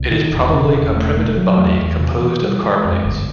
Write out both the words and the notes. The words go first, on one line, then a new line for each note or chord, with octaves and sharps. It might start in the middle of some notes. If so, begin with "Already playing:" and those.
It is probably a primitive body composed of carbonates.
Already playing: C2
D#3
E1
C#3
E1
A3
A3
F#3
E2
E2
C3
E3
G3
G#3
F2
G1